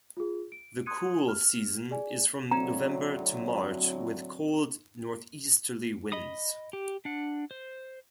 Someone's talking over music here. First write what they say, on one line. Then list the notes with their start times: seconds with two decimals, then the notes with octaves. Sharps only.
The cool season is from November to March with cold northeasterly winds.
0.17 F4 G#4
0.52 D7
0.86 C6 D#6 F#6 G#6 C#7 D#7
1.28 F6
1.91 G#4 D5 G#5
2.51 A2 D3 F#3 C4 A#5
6.12 D#5 B5 D#6
6.73 G4
7.05 D4 F#5
7.51 C5